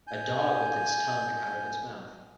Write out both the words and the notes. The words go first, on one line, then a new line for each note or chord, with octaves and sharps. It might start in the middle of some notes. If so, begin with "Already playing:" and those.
A dog with its tongue out of its mouth.
G#5 G6